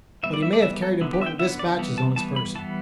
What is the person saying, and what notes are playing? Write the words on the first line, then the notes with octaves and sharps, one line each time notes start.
But he may have carried important dispatches on his person.
E3 G3 B3 E5
D5
E5
D5
E3 G3 B3 E5
A4
D3 B3 E4
G4
E5
G5
D3 B3 E5
D5
E3 G3 B3
A5
E3 G3 B3 A5
B5
E3 G3 B3 A5